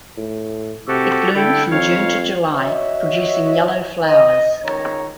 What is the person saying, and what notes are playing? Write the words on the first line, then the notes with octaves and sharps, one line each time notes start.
It blooms from June to July producing yellow flowers.
A2
C3 F#4 G4 A4
D3 E4 A4 G5
F2 C#5 F5
F#4 C#5 D#5 E5
D#5
C#2 D#3 C#5 A#5